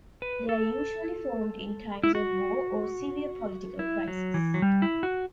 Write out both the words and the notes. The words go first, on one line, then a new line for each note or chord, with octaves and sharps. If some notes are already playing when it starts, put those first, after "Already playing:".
They are usually formed in times of war or severe political crisis.
B4
A4
E4
F#4
E4
F#3
E3
F#3
G3
E4
F#4